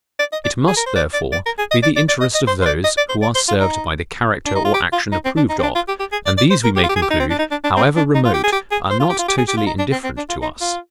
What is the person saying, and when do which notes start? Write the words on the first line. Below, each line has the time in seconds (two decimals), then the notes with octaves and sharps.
It must, therefore, be the interest of those, who are served by the character or action approved of; and these we may conclude, however remote, are not totally indifferent to us.
0.19 D5
0.32 D#5
0.44 D5
0.67 G#4
0.76 A#4
0.86 C5
0.96 D5
1.13 D5
1.32 D5
1.46 A#4
1.58 G#4
1.71 D#5
1.83 D5
1.96 D5
2.08 D5
2.21 D#5
2.35 D#5
2.47 C5
2.62 C5
2.66 D5
2.84 D#5
2.97 D5
3.09 C5
3.22 D5
3.35 C5
3.48 F4
3.60 D#4
4.46 D4
4.55 D#4
4.65 F4
4.74 G4
4.92 F4
5.12 D#4
5.25 C4
5.37 D4
5.49 D#4
5.59 C4
5.63 D4
5.75 F4
5.88 G4
6.00 G4
6.12 G#4
6.26 D5
6.38 D5
6.51 C5
6.64 A#4
6.76 G4
6.83 F4
6.89 G4
6.96 G#4
7.02 G4
7.10 D#4
7.20 C4
7.30 D4
7.39 D#4
7.51 D4
7.64 D4
7.77 C4
7.96 D4
8.15 D#4
8.25 F4
8.34 G4
8.44 G#4
8.52 G4
8.71 G#4
8.90 C5
9.00 F4
9.10 G4
9.19 F4
9.28 G4
9.38 G#4
9.48 G4
9.57 F4
9.67 D#4
9.78 D4
9.92 C4
10.04 C4
10.17 D4
10.29 F4
10.42 D#4
10.61 F4